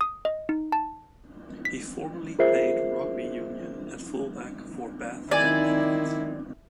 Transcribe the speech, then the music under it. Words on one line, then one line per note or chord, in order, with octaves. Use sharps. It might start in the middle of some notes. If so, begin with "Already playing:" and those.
He formerly played rugby union at fullback for Bath and England.
D#6
D#5
D#4
A5
B6
F4 G#4 A#4 C5 E5 C7
D#3 C4 D#4 E4 D5 G#5